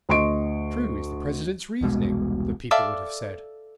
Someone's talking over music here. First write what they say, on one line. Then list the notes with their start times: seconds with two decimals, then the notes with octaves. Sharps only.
"How true is the president's reasoning," the people would have said.
0.09 D2 D#5 C6 C#6 D7
1.81 E1 C2 B2 G#3
2.71 A4 D5 E5 F5